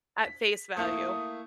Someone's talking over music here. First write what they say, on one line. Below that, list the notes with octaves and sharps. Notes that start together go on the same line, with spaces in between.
At face value.
B6
A3 A#3 E4 D#6